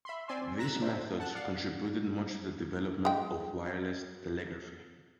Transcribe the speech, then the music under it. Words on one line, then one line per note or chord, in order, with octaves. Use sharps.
These methods contributed much to the development of wireless telegraphy.
E5 B5 C6
C4 D5 G#5 C6 E6
A#5 F#6 B6 E7
D4 C5 E5
F#5 A5 F#6
D5 F5 F#5
G#3 G5